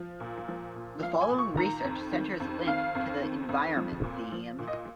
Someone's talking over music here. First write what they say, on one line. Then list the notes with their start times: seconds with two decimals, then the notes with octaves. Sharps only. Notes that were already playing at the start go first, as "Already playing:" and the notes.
The following research centres link to the environment theme.
Already playing: F3
0.20 A#2
0.48 F3
0.75 A#2
1.03 F3 F5
1.21 G#5
1.30 A#2
1.38 C#6
1.57 D#3 A#5
1.84 F2
2.12 D#3
2.40 F2
2.66 D#3 F5
2.95 F2
3.22 D#3
3.49 F2
3.76 F3
4.04 A#2
4.32 F3
4.59 A#2
4.67 D#5